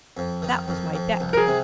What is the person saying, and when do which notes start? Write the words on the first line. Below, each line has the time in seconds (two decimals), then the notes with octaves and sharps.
That was my depth! ...
0.17 F2
0.42 D#3
0.68 F2
0.94 F2
1.20 C2
1.33 A#4
1.37 G#4
1.47 C3